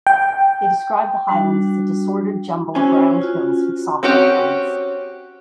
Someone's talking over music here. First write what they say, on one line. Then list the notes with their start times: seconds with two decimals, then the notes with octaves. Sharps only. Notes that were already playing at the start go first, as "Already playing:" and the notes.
They described the highlands as "a disordered jumble of round hills with soft outlines".
0.07 G5
1.28 G3 D4 F#4
2.75 C#4 E4 F#4 C5 C#5 G#5
3.22 F4 F#4
4.03 C4 C#4 F#4 G4